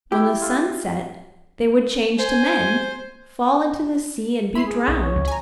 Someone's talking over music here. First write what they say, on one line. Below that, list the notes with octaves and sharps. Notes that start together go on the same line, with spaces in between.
When the sun set they would change to men, fall into the sea, and be drowned.
E4 G4
F4
C5 G#5
E4 B5 C6 C7
G#4
B1
C#5
C#2
G#5 A#5